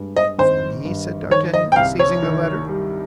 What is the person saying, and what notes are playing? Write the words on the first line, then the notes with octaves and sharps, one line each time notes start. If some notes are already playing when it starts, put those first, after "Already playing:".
"For me?" said d'Artagnan, seizing the letter.
Already playing: G2 G#3
D#5
G#1 C5
G2
D#3 C#5
D#5
G5
C2 F5
C#5
D#3
G3